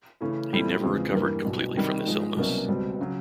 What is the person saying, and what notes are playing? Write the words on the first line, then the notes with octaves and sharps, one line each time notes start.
He never recovered completely from this illness.
C#3 E3 A3 C#4 E4
A#2 G3 C4 E4 A4
E2 C#3 F3 G#3 C4
G2 E3 G3 A#3
B1 B2 G3
C3 D#3 G3
G#2 F3 G#3
C2 B2 F#3 A#3 C#4
C#2 B2 G3 C4
C#3 F#3